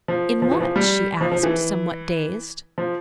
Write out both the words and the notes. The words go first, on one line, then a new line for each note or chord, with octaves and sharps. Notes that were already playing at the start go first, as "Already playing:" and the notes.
"In what?" she asked, somewhat dazed.
F3
F3
E3
F3
G3
F3
F3
E3
F3